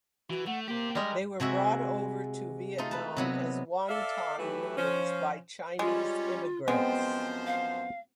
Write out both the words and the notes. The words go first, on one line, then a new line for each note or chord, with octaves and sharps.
They were brought over to Vietnam as wonton noodles by Chinese immigrants.
E3 F#4
A3 F#5
A#3 G4 C5
G3 G#3 A#4
C3 G#3 F#4 E5
A3 D#4 F4 C6
B4 A5
C3 F#3 B3
A4 D5 E5 F5
E3 F#3 A3 F#4 G4 B4
F3 C#4 C5
G3 G#3 C#4 F4
F#2 F3 G#3 B3 C4 C5 G5
F5